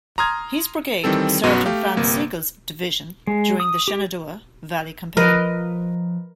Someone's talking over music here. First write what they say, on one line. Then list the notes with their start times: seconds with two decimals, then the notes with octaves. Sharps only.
His brigade served in Franz Sigel's division during the Shenandoah Valley Campaign.
0.18 A#5 C6 D#6 F6 G#6
1.04 D#3 E3 G3 C4 A4
1.43 B1 F#2 B3 F#4 D#7
1.66 A3 G4 F5
1.97 G1 C3 A#3
3.27 G#3
3.60 D#6
3.88 G4
5.17 F3 A#4 B4 D#5